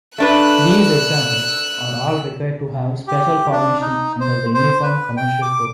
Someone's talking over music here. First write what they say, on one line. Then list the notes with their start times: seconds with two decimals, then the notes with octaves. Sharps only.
These example are all required to have special formation under the Uniform Commercial Code.
0.18 A3 D4 B4 E6 F#6
3.07 G4
3.51 D4
3.81 D#4
4.20 C5
4.54 C5
4.83 B4
5.17 G5
5.42 D6